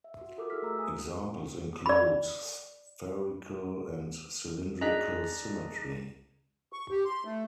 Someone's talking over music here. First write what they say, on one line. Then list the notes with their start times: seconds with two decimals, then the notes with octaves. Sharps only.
Examples include spherical and cylindrical symmetry.
0.04 E5
0.21 F#4
0.37 F4 F#4 A4 A#4 D6
0.50 E4 G#4 E5 E6 F6 B6
0.62 A3 A#5 E6
0.79 G#5 A#5 D#6
1.86 D5 B5
4.81 D4 D#4 G#4 D#5 A#5 F#6 B6
6.73 C#6
6.91 G4
7.05 C6
7.25 A3